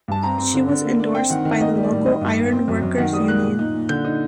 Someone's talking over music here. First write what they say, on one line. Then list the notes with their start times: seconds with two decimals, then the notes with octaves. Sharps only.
She was endorsed by the local Iron Workers Union.
0.08 G2 A5
0.23 C4 A#5
0.38 C4
0.54 D3
0.69 D3
0.84 A#3
0.99 D4
1.15 C4 G5
1.30 D#3 F#5
1.45 D#3
1.51 F#5
1.60 A#3 D#5
1.76 G3
1.83 D5
1.91 A2
2.06 D#3 D#5
2.21 G2
2.37 A#3
2.52 C4
2.68 F#2
2.82 F#2
2.98 D#3 F#5
3.13 G3 D#6
3.28 A#3 F#6
3.43 A#2
3.59 D#4
3.74 A#2
3.89 D3 G6
4.05 D#4